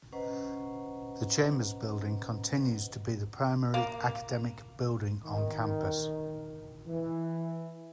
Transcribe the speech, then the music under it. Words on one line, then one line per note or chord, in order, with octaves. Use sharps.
The Chambers Building continues to be the primary academic building on campus.
C#4 B4 C5 D#5 F#5 A#5
A#3
D#3
E3